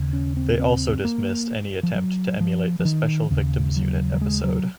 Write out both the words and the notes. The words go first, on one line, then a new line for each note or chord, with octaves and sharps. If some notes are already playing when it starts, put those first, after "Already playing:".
They also dismissed any attempt to emulate the "Special Victims Unit" episode.
Already playing: D#2 C#3
C#4
C4
C4
A#3
F3
F#3
F3
F3
D#3
D#2 C#3
F#3
F#3
G#3
F#3